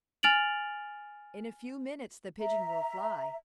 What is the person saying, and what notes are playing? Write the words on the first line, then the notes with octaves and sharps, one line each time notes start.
In a few minutes the pigeon will fly.
G#5 F6 A6 D7 F7 F#7
E5 A#5